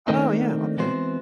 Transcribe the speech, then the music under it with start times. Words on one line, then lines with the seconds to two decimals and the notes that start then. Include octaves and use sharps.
Oh, yeah. Okay.
0.08 D#3 A3 A#3 C4 D4 D#4
0.78 E3 G#3 B3 C4 F#4 C5